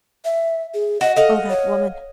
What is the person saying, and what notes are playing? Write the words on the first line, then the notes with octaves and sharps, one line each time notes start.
Oh, that woman!
E5
G#4
F#4 D#5
A4 D#5 F5 F#5
C#5